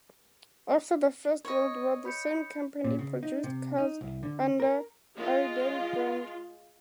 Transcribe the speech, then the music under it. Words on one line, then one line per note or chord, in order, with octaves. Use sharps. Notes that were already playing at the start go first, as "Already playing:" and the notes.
After the First World War, the same company produced cars under Airedale brand.
C#5 D#5
B5 G6 C#7
A#2
C#3
D#4
C3
D#4
C2
D3
A#4
G#3 F4